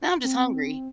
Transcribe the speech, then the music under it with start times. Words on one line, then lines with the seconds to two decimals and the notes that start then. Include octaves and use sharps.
Now I'm just hungry.
0.24 C4